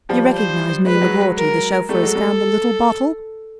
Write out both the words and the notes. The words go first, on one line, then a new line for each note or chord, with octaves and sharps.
"You recognize me, McGroarty, the chauffeur as found the little bottle?"
F3 G3
C5
G#3 B4
G3
F#3 G#3
A#4
G3 A3 A4
F#3 G#3
G3 A3